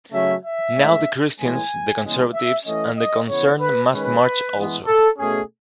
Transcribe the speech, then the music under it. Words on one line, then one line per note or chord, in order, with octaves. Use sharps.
Now the Christians, the conservatives and the concerned must march also.
C#3 F#3 A3 C#4 E5
E5
A2 G#3 C#4
A2 E3 G#3 B3 G#5
C#3 E3 G#3 B3
E5
E3 A3 C#4 D#5
D#5
C#3 E3 B3 C#5
B4
D#3 G#3 C#4 B4
E3 G#3 B3
A4
B2 A3 C#4 G#4